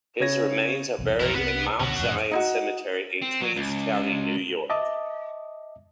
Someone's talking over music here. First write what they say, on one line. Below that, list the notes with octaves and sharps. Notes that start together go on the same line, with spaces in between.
His remains are buried in Mount Zion Cemetery in Queens County, New York.
C#3 C#5 G#6 A#6
B1 E2 C3
B1 F2 E4 A#4
C2 C4 B4 F#5
C2 B2 D3 C#4 F#4
E1 F2 A2
D#4 E4 F#4
C4
F#3
C#2
D#5 E5 A5 D6 D#6